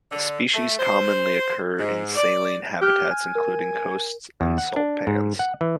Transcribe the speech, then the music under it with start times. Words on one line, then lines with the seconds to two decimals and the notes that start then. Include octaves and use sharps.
The species commonly occur in saline habitats, including coasts and salt pans.
0.12 D3
0.53 A3
0.78 C5
1.78 G#2
2.15 D5
2.82 G4 F6 F#6
3.10 G#5
3.35 A#4
4.41 E2
4.58 F#5
4.76 D4
5.07 G#2
5.39 F#5
5.61 E3